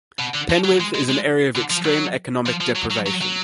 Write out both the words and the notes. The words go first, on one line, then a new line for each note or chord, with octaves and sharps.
Penwith is an area of extreme economic deprivation.
B2
D3
F3
F#3
G#3
G#3
G#3
D3
F3
F#3
F3
F3
F#3
F#3
F#3
F#3